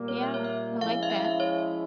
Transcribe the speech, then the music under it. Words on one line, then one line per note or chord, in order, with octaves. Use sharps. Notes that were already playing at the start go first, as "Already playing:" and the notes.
Yeah, I like that.
Already playing: A#2 G3 A#3
C#5
E5
C#5
E5
F3 G#3 C#4 E4 F5
E5
F5
F5
E5
C#5